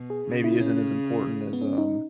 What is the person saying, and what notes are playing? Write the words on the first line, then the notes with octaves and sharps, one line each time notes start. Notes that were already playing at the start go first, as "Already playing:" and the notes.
maybe isn't as important as, um
Already playing: B2
G#4
C#3
E4
C#4
B3
C#4
D#4